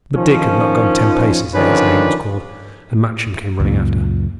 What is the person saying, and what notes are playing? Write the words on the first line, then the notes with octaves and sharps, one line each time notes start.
But Dick had not gone ten paces ere his name was called, and Matcham came running after.
D#3 F3 C#4
D3 D#3 F3 C#4 D4 B4
C#2 F#2 A#2